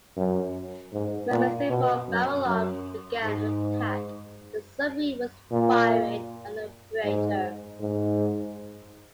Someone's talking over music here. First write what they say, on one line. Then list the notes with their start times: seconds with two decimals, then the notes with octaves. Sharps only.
Moments before "Baralong" began her attack, the submarine was firing on the freighter.
0.17 F#2
0.93 G#2
1.31 A#2
1.70 B2
2.08 F#2
2.46 F#2
3.22 G#2
5.51 A#2
7.04 G#2
7.80 G#2